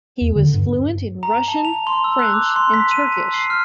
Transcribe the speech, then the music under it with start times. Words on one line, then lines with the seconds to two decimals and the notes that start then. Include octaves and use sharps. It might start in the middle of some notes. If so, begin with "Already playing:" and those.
He was fluent in Russian, French, and Turkish.
0.21 E2
0.35 D3
0.54 G2
1.23 A#5
1.48 A5
1.65 F7
1.87 C6
2.04 E6
2.19 F#6
2.33 D6
2.56 C6
2.74 B6
2.91 D#7
3.34 C7
3.50 F6